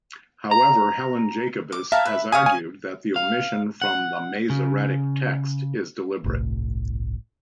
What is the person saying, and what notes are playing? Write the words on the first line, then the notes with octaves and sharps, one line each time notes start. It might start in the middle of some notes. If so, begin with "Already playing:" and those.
However Helen Jacobus has argued that the omission from the Masoretic text is deliberate.
A#5
D6
E5 F5 A5 A#5
B4
C#5 F5 G#5 D#6
G#5
F5
F#5
C#3
G1 C2 A2